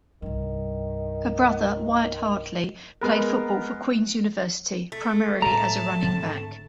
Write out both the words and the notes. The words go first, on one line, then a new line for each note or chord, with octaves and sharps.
Her brother Wyatt Hartley played football for Queen's University, primarily as a running back.
C2 G2 D#3
G#3 B3 A#4
A3
A2 G3 G#3 A5 A#5
G#2 D3 C4